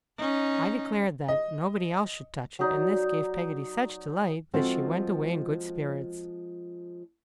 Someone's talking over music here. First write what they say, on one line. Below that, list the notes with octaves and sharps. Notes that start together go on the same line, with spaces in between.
I declared that nobody else should touch it; and this gave Peggotty such delight that she went away in good spirits.
C#4 D#4
D#5
F#3 D#4 D5
F3 G#3 C4 F#4 A4